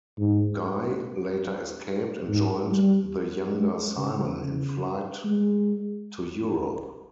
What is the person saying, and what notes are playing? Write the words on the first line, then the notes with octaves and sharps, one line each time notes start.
Guy later escaped and joined the younger Simon in flight to Europe.
G#2
G#2
G3
G#3
C#3
C#3
G#3